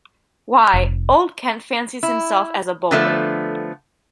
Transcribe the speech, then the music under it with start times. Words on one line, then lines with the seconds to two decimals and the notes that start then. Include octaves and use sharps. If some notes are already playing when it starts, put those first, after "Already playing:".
Why, old Kent fancies himself as a bowler.
0.74 F1
2.03 E4
2.91 D3 F3 A3 B3